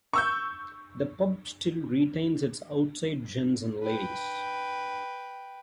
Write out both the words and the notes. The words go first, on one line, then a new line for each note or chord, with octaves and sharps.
The pub still retains its outside gents' and ladies'.
C#6 E6 G6
B4 G5